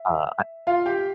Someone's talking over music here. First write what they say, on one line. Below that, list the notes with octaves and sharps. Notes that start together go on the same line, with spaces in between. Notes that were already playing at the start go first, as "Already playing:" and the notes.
Uh, I
Already playing: E5
F4 F5
G4 G5